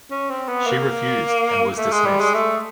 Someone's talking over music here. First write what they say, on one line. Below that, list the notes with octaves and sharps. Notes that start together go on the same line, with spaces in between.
She refused and was dismissed.
C#4
C4
B3
A#3
A3
G#3
G3
G#3
A3